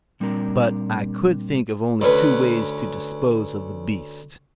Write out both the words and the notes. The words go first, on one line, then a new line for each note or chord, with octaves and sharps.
But I could think of only two ways to dispose of the beast.
A#2 G3 C4 D4 A#4
D2 C#4 B4